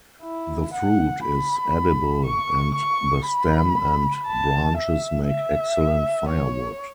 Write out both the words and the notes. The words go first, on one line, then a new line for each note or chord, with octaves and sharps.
The fruit is edible and the stem and branches make excellent firewood.
E4
F#5
B5
C#6
C#6
B5
A5
E5
E5
C#5